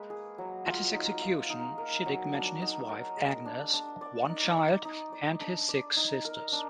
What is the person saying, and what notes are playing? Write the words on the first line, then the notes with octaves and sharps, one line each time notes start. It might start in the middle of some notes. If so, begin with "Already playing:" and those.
At his execution Chidiock mentions his wife Agnes, one child, and his six sisters.
Already playing: G#3 A#3 B4
G#4
F#3
F4
D#4
F5
D#4
A#4
F#3
D4
D#4
A#4
G#3
D4
D4
D5
D#4
D5
D#4
D5
D4
D5
D#4
A#4
D4